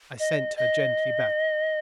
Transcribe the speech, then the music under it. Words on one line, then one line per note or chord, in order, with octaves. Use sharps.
I sent her gently back.
D#5
D#5